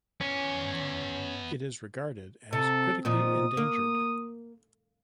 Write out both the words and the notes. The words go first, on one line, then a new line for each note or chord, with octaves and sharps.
It is regarded as critically endangered.
B3 C#4 G#5
C3 A4
A#2 D#3 F3 D#6
A#3